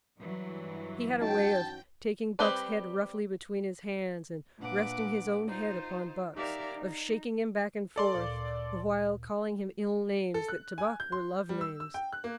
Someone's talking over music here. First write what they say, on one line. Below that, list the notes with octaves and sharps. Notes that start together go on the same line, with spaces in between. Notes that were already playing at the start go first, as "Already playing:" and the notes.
He had a way of taking Buck's head roughly between his hands, and resting his own head upon Buck's, of shaking him back and forth, the while calling him ill names that to Buck were love names.
G2 E3 F#3
C#4 D#4 F#4 G5 A5
G3 C4 G4 B4 D5
A#2 D4 B4 F#5 D6
D#4 F4 C5
D#4 G4 A#4 D5 E5 F5
D#4
A4 D5 C6
D2 A#2 F5
A4
F#6
G#5
G6
C6
G3
E6
E6
G5
F#6
A#3